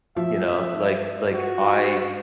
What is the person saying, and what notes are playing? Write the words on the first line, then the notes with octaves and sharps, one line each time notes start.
You know? Like like, I,
F3 E5
F#4